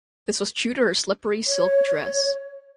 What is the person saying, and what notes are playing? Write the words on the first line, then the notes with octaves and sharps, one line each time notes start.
This was due to her slippery silk dress.
C#5